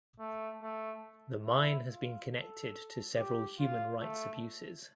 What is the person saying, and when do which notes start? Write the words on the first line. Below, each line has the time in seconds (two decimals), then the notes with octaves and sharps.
The mine has been connected to several human rights abuses.
0.20 A3
0.62 A3
1.46 E4
1.89 F4
2.31 A4
3.16 G4
3.59 F4
4.01 A3